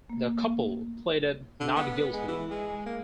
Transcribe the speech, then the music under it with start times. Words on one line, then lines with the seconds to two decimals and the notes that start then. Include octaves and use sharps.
The couple pleaded not guilty.
0.10 A3 A#3
1.60 D3
1.76 B3
2.13 G#3
2.28 E3
2.50 G#3
2.86 A#3